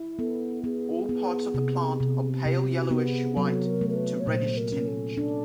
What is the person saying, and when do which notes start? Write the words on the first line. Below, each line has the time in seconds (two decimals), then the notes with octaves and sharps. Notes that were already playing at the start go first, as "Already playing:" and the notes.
All parts of the plant are pale yellowish white to reddish-tinged.
Already playing: E4
0.19 B3 A4
0.64 B3 G#4
1.09 B3
1.54 C3
2.00 C3
2.45 C3 G4
2.76 F#4
2.91 B3
3.06 G#4
3.36 F#3 A4
3.66 A#4
3.81 A3
3.90 A#4
3.96 B4
4.20 C#5
4.27 A#2 C5
4.57 A#4
4.72 C#4
4.88 A4
5.17 D4